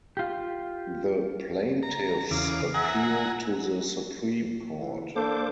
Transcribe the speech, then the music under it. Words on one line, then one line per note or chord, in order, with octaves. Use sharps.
The plaintiffs appealed to the Supreme Court.
F4 G4
A#5
E2 C#3 F5 D6
E5 F#5 G#5 A#5
E3
A#3 D4 A4 C5 D6